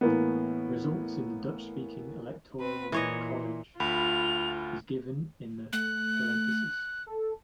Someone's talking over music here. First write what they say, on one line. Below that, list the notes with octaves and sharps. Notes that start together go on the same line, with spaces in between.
Results in the Dutch-speaking electoral college is given in the parenthesis.
A2 E3 A#3 B3
C4 B4
A#2 E3 C#5 D#5
D2 F4 B5 F7
A3 F#6
A4